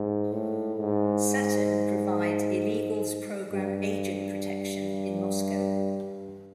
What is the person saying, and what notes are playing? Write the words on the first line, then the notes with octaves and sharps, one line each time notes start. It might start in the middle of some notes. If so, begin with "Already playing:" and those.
Saturn provide illegals program agent protection in Moscow.
Already playing: G#2
A2
G#2
G2